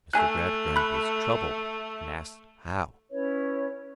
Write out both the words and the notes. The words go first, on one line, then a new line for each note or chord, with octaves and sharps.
Mr. Gradgrind was troubled and asked how?
A3 G#5 F#6
B5 F#6
C#4 E4 B4 C#5